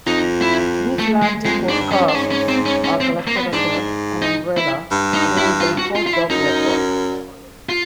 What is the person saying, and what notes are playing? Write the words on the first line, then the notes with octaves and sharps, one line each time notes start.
These latter podcasts are collected under an umbrella called the "Hot Dog Network".
F2 D#4
E4
A3
G#3
F2 G#3
G#2 D4
G2
C#4
D4
G#2 C#4
C#4
C4
C#4
C#4
C4
A#3
B3
G#2 D4
D#4
E4
G2
D#4
E4
F4
F#4
F4
F4
E4
F#2 D#4
F4